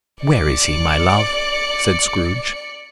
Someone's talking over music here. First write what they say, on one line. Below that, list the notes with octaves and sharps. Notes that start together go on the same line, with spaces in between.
"Where is he, my love?" said Scrooge.
D5 C#7